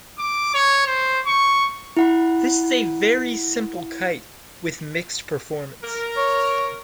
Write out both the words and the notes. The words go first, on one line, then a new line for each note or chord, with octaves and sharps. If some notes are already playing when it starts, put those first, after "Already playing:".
This is a very simple kite with mixed performance.
D6
C#5
C5
C#6
E4 F#5 B5
A#4
C#5